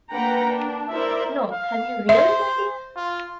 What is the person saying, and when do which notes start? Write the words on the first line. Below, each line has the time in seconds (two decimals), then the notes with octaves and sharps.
No; have you really, my dear?
0.12 A#3 D4 B4 F#5 G5 A#5
0.46 D4
0.91 E4 A#4 C5 D5 E5
1.52 F5
2.09 C5 E5
2.96 F4